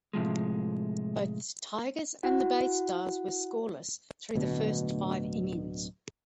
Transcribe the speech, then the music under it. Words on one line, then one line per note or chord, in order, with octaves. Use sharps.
Both the Tigers and the Baystars were scoreless through the first five innings.
A2 C3 F3 G#3
E4 F#4 F#5
D1 D2 B2